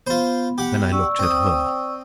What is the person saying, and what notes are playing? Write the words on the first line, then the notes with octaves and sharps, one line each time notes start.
Then I looked at her.
B3 F4 C5
G4 F#5
D5 C#6 E6
C4 D#6